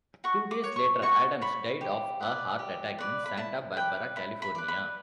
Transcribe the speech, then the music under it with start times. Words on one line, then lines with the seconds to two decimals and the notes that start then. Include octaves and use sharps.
Two days later, Adams died of a heart attack in Santa Barbara, California.
0.24 F#4 C#6
0.51 D6
0.64 C#5
0.76 C#6
1.02 F#4 C#6
1.42 C#5 B5
1.81 G4
2.21 B4 D5
2.59 G4
2.98 B4 D5
3.26 B5
3.37 E4 A5
3.77 B4 D5 G5
4.16 E4 B5
4.42 B5
4.55 B4 D5
4.68 B5